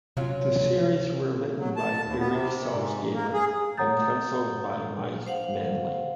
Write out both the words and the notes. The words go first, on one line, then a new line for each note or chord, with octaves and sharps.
The series were written by Erik Saltzgaber and pencilled by Mike Manley.
C3 F#3 C#4 F4
F#3
A5
D#2
B3
C3
G#2
A#3
G#4
C#5 F#5 A#5 D#6 G6 A6
C5 F5 F#5